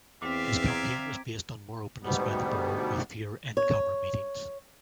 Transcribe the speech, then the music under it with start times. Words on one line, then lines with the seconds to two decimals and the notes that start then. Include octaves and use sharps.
His campaign was based on more openness by the board with fewer in-camera meetings.
0.22 E2 C4 D5 E5 F5 D6 B6
0.66 A#5 G#6 D7
2.03 D2 G#2 B2 G3 B3
3.57 C#5